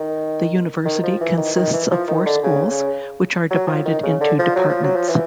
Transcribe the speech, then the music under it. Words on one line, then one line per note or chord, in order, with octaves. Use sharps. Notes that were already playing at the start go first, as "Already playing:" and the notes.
The university consists of four schools which are divided into departments.
Already playing: D#3
D#3
F3
E3
D#3
D#3
E3
F3
D#3
D3
C#3
C#3
F#3
F3
D#3
C#3
D3
F3
F#3
F3
F#3
F3
E3